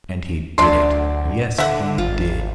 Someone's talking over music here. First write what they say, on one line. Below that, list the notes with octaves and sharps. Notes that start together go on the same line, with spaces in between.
And he did it; yes, he did!
D2 F#3 D4 D5 C6
D3 E5 F#5
G#1 F4